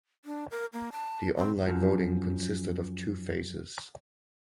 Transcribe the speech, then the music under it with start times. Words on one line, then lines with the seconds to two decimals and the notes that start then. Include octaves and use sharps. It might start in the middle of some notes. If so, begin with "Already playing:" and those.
The online voting consisted of two phases.
0.25 D4
0.51 A#4
0.73 A#3
0.92 A5
1.37 C4
1.67 F#2 F3